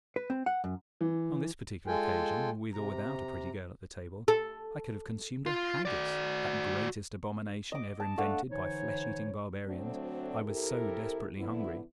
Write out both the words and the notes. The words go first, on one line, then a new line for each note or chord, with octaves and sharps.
On this particular occasion, with or without a pretty girl at the table, I could have consumed a haggis--that greatest abomination ever invented by flesh-eating barbarians--I was so desperately hungry.
B4
C4
F#5
F#2
E3
G#3 F4 A4 G5 G#5
C3 A#5
A4
F4
F#4 D5
D#5 D6
A5
A3 D4 F5 F#5
D3 E3 D#4 C5 C#5
D2 F#3 A3 C4 D4
C3 E4 G4 A4 A#4
D3 F3 B3 E4